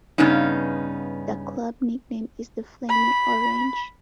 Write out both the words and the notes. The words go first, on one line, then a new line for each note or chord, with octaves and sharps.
The club nickname is the flaming orange.
G2 C#3 B3 C#4 D#4
B5